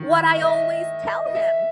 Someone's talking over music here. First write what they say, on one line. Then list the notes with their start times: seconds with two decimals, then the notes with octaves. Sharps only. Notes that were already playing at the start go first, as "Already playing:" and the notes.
What I always tell him!
Already playing: D#3
0.37 E5
0.42 D#5
1.26 D#5
1.35 E5